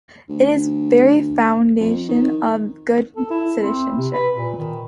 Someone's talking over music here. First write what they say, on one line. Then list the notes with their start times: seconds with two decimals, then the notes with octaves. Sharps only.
It is the very foundation of good citizenship.
0.29 D2
1.81 F2
2.08 D#3
3.16 A4
3.30 E4
3.61 C4
3.98 C3
4.13 B4
4.35 A#2
4.58 D#3